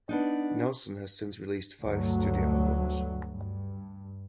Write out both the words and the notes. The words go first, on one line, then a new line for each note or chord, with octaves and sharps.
Nelson has since released five studio albums.
B3 D4 D#4
D2 G2 F#3
G2